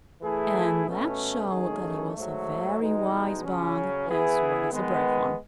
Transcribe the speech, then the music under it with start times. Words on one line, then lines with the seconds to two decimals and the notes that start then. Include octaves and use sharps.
And that showed that he was a very wise bug as well as a brave one.
0.22 E3 A3 E4 G#4
0.86 B2 A3 C#4
1.50 F#2 D#3 A3 C#4 G#4
2.15 G#2 F#3 A3
2.78 E2 B2 G#3 D#4
3.42 C#3 F#3 C#4
4.07 E3 B3 E4 G#4
4.71 D#3 G#3 B3